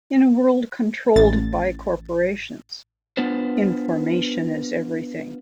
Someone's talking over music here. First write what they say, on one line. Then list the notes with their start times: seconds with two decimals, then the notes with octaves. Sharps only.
In a world controlled by corporations, information is everything.
1.16 A1 A6
3.17 B3 D4 F4 B4 C5